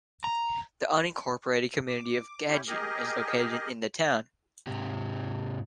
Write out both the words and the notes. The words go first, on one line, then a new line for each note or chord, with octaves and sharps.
The unincorporated community of Gagen is located in the town.
A#5
D6
C#4 E4 G4
G4 G#4 A#4 D#5
G#2 C3 G4